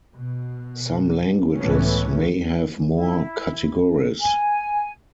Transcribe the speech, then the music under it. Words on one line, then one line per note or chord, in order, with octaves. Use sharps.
Some languages may have more categories.
B2
C#2 A2 E3 A3 B3 C#4
E4
G#5